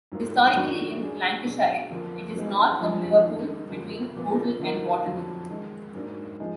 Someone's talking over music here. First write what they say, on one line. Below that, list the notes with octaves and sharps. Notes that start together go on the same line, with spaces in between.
Historically in Lancashire, it is north of Liverpool, between Bootle and Waterloo.
G#2 F#3 A#3 F4
D#3 F#3 D4 F#4
F#3 D4 G#4
B2 F#3 D4 G#4
F2 D3 F3 A#3 F4
F#3 B3 D#4 G#4
F2 F3 G#3 D4 G#4
D#3 G#3 D#4
F#2 D3 F3 A#3
A#2 F3 B3 F4
D3 F3 A#3 D#4 A#4
F2 D3 F#3
D#3 G#3 D#4
G#2 F#3 A#3 D4
F3 G#3 D#4 G#4